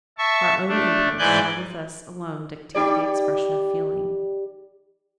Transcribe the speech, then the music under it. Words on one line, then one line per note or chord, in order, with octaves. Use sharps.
Our own impulse shall with us alone dictate the expression of feeling.
E5 A5 C#6
A3 D4
G#2 E3 D5 G#5 F#6 G6
D#4 G4 D5